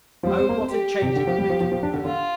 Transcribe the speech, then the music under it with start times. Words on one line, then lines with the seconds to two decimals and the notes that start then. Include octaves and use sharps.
O what a change it would make in your home!
0.23 F3
0.27 G3 C5
0.38 C4
0.49 A#3
0.60 C4
0.71 G4
1.02 C3
1.16 D3
1.27 F3
1.38 G3
1.50 F3
1.60 F3
1.71 F3
1.83 D4
1.94 D3
2.05 D3 F4